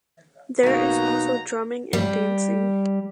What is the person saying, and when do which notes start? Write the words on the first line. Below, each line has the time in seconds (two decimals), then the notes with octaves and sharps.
There is also drumming and dancing.
0.63 B2 F#3 A#3 D#4 F#4 A#5
1.93 G3